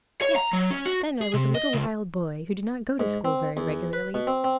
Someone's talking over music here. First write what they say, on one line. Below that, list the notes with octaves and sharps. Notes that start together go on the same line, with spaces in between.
Yes, then I was a little wild boy, who did not go to school very regularly.
C#5
A#5
F#3
C#4
F#4
G#4
C3
D#5
C#2
G#2
C4
E2
B4
B2
C4
C4